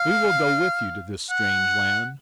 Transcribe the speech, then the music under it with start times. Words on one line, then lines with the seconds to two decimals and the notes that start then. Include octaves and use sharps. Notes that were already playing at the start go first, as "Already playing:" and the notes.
"We will go with you to this strange land."
Already playing: F5
1.30 F#5